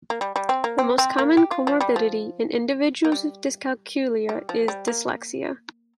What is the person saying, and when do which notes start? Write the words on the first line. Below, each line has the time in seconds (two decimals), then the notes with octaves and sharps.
The most common comorbidity in individuals with dyscalculia is dyslexia.
0.10 A#3
0.21 G3
0.36 G3
0.49 C4
0.64 A#3
0.78 C4
0.98 C4
1.18 A#3
1.37 G4
1.51 F4
1.67 F3
1.81 G3
1.96 F3
3.05 A#3
3.12 G3
4.29 G3
4.49 F3
4.68 G3
4.87 A#3